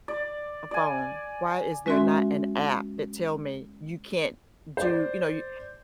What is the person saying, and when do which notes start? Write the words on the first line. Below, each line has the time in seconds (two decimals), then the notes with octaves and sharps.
a phone. Why is there not an app that tell me, 'You can't do'" you know, y
0.08 D5
0.71 D5 G#5
1.86 G#3 C#4 F#4 E5 C6
4.77 C5 D5